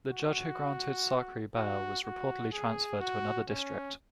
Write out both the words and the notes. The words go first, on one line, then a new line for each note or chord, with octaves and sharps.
The judge who granted Sarki bail was reportedly transferred to another district.
F#4
F#4
F#4
G#4
F#4
C#4